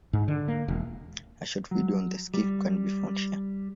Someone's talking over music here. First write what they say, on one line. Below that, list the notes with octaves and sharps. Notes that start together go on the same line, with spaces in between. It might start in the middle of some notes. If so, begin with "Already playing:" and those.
A short video on the skiff can be found here.
G#2
D3
A#3
E1
F#3
G3